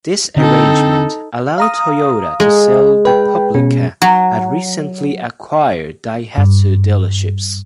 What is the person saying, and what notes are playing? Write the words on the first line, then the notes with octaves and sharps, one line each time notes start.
This arrangement allowed Toyota to sell the Publica at recently acquired Daihatsu dealerships.
D3 C4 D#4 A4
F5 A#5 D#6
G#3
B4 G5
B2 C#4
F#3
G2